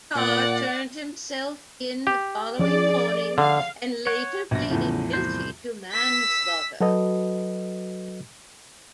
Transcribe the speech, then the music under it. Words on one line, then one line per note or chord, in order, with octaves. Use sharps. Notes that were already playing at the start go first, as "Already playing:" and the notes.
Carr turned himself in the following morning and later pleaded guilty to manslaughter.
A#2 D5 F#5
G4
F3 C#4 G#4 D5
D3 F5
C#5 F#5
A#1 G2 B2 A#6
E2 A2 C#3 F3
C2 C5
E6 B6
F#3 F#4 A4 B4 D#5